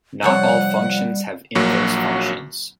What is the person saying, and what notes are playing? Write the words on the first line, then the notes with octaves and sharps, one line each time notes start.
Not all functions have inverse functions.
C3 F3 G3 C#5 F#5
A#1 F#3 A#3 F#4 F#5